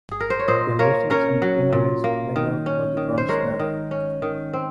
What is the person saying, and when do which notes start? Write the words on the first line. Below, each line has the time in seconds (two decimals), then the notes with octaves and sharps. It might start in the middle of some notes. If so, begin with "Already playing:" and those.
The losing semifinalists play off for the bronze medal.
0.11 G#4
0.20 A#4
0.30 C5
0.39 C#5
0.48 A#2 C5 D#5
0.79 A#3 A#4 C#5
1.10 C#4 A#4 C#5
1.42 F#3
1.72 A#2
2.04 A#3
2.36 D#3
2.66 C#4
2.97 D#3
3.18 C5
3.29 G#3 A#4 C#5
3.59 D#3
3.91 C#4
4.22 D#3
4.53 C4